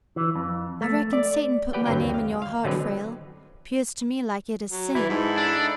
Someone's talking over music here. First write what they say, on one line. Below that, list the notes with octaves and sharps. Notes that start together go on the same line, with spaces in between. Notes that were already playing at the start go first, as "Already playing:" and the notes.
"I reckon Satan put my name in your heart, Frale; 'pears to me like it is sin."
E3
F2
A3
D5
G4 B4 D5 F#5 G5
G1 D3 F#3 C4 B4 G5
D#2
F5
F5
D3 F#3 G#3 C4 B4
F#3
E3 E4 D5
G#2 D#4 A4 B5
D4